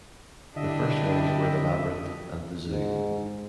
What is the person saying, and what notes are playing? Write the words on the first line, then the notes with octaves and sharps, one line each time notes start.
The first ones were the labyrinth and the zoo.
D3 D4 E4 G4 D#5 E5
G#2